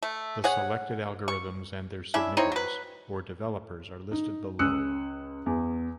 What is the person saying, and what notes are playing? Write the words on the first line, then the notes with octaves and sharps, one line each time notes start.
The selected algorithms and their submitters or developers are listed below.
A3
G#4 C#5 F#5
C#6
C#4 D4 E4 E5
C4 D#4 E4 C#5
F#3 B4
D#4
C#2 C#4 D#6 E6 F#6 C#7
E2